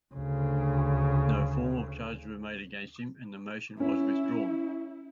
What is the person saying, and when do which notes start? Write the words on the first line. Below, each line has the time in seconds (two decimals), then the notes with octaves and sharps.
No formal charges were made against him, and the motion was withdrawn.
0.14 D2 C#3
3.80 C#4 E4